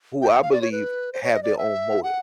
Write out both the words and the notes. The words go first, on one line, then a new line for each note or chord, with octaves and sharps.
who I believe have their own motive.
G5
G5
F5
D5
C#5
B4
C5
C#5
D#5
D5
E5
F#5